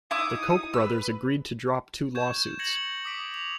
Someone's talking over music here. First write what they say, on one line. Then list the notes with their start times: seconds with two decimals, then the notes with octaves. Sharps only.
The Koch brothers agreed to drop two lawsuits.
0.11 D#4 E4 D6 D#6
0.74 B4 E6
2.15 C#6 G6 G#6 E7
2.59 G#6 A#6 C#7 F#7
3.05 D6 D#6 B6 D7
3.34 F7